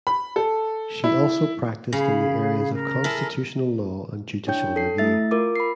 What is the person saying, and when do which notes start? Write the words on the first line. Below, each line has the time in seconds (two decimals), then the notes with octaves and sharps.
She also practiced in the areas of constitutional law and judicial review.
0.07 B5
0.36 A4
1.04 E4
1.93 C#3 G#4 F5 B5
2.73 A#4 A#5
3.04 E4 G#4 A4
4.47 D4 E4 C#5 G5 G6
4.76 A4 C7
4.98 A3 E4 E5 A6
5.31 F4 A#4 D6
5.56 B5 C7